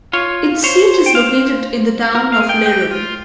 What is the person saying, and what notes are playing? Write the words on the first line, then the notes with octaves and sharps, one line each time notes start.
Its seat is located in the town of Lerum.
F4 C#5
C5 C#5
G5
F5
A#4
F5
G#4
G5
G4 G5
F4